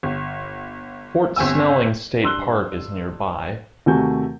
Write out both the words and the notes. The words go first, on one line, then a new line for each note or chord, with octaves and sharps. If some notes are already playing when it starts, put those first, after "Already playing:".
Fort Snelling State Park is nearby.
G1
G1 C4 G#5 E6
G2 C6 E6 F#6 G7
D#2 C3 A3 F#4 G#5 G6